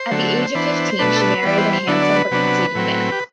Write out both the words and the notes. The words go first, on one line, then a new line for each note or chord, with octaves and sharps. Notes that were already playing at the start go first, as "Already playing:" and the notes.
At the age of fifteen, she married a handsome but conceited man.
Already playing: C5
D3 F#3 A3
E3 B3 D4
B2 A3 D4 B4
A4
B4
E3 G3 B3 D5
C5
C5
D3 F#3 B3 D4 E4
D5
B4
C3 F#3 B3 D4
A2 F#3 C4
G4